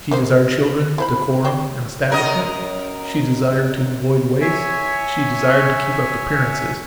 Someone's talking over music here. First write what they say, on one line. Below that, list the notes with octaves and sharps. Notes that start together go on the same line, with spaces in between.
She desired children, decorum, an establishment; she desired to avoid waste, she desired to keep up appearances.
A#3 D#4 C5
E4 C5 B5
C4
F#2 A#4 D#5
C#5 E5 G#5